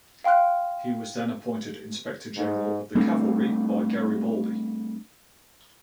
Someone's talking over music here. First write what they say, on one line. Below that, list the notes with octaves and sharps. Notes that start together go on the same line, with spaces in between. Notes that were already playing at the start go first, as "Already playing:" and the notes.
He was then appointed inspector general of the cavalry by Garibaldi.
F5 G5 C6 F6 F#6
G#2
G3 A3 C4 D4